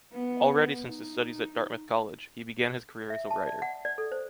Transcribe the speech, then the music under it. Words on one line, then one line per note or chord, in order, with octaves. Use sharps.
Already since his studies at Dartmouth College, he began his career as a writer.
B3
D#4
E5
A5
D5
F#5
D5
A4
C5